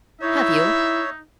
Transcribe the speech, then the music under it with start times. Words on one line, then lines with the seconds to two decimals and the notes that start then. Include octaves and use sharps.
"Have you?"
0.21 D#4 E4 C#5 E5